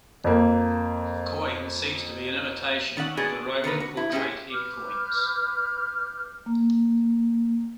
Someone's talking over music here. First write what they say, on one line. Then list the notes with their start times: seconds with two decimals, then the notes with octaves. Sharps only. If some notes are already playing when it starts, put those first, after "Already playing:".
The coin seems to be an imitation of the Roman portrait head coins.
0.24 F2 A#3
2.97 D#3 C#4 D5 F#5
3.17 B3 D4 F#4 G#4 D5
3.64 D3 D#3 A#4 B4
3.80 F#4
3.97 E4
4.12 G#3 C#4 E4 F4 G4 G#4
4.51 B4 D6 F6 G6
6.46 A#3